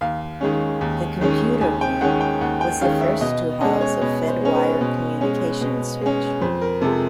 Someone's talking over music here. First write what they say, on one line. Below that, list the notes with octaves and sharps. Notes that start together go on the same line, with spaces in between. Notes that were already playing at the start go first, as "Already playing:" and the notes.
The computer room was the first to house a Fedwire communications switch.
D#2 F5
D#3 G#3 C#4
D#2
D#3 G#3 C#4
D#2 G#5
G5
D#3 G#3 C#4 F#5
G5
D#2 F#5
G5
D#3 G#3 C#4 F5
E5
B2 D#5
G#3 C#4 D#5
C#5
B2 C#5
C5
G#3 C#4
B4
B2
G#3 C#4
B2
G#3 C#4
F2 C5
A#4
C3 F3 G#3 A4